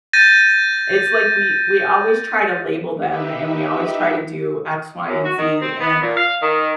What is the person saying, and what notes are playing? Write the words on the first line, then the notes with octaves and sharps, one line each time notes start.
It's like we we always try to label them and we always try to do X, Y, and Z, and
G6 A6 A#6 D#7
D#4 G4 B4 E5
F#2
F#4
D#3
C4
B3
A#2
F5
D#3